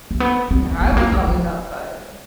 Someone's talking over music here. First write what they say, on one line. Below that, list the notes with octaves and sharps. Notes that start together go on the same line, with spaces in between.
Yeah, I was always outside.
A#3
B3
C4
B3
B3
A3
A#3
A3
F3